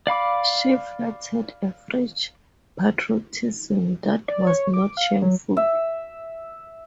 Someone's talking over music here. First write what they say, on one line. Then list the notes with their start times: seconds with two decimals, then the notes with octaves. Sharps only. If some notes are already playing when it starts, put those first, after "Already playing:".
She flattered a French patriotism that was not shameful.
0.07 D5 F5 B5 D6
4.28 D5
4.47 C#5
4.74 D6
4.97 F5
5.22 F#3
5.57 E5